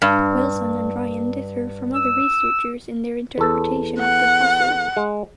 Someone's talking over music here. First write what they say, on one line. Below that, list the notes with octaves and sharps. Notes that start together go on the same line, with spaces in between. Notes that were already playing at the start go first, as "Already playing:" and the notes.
Wilson and Ryan differ from other researchers in their interpretation of the fossil.
G2
E6
E2 A4
F#5
G#3